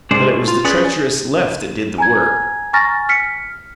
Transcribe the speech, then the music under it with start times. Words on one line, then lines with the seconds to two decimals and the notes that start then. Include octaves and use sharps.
But it was the treacherous left that did the work.
0.11 G#2 C3 G#3 D4 C5
0.26 A2
0.48 F4
0.65 C#4 G#4 B4 D5
1.98 G#5 A#5 G#6
2.73 G#5 A#5 C#6 F6 A6 A#6
3.09 F6 B6 C#7